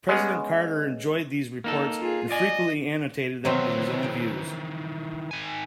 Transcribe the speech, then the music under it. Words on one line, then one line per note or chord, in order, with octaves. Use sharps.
President Carter enjoyed these reports and frequently annotated them with his own views.
G#3 B3 C#4
A#3 D#4 A4
F4 G#4
D5 D#5 G#5
D#3 E3 F#3 C4
G#4 G5
D#3 G#5